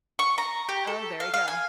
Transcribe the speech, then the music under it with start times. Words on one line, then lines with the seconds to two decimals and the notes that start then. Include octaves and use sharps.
Oh, there you go.
0.19 C#6
0.38 A#5
0.69 G4
0.87 A4
1.20 F5
1.34 F5
1.48 G#5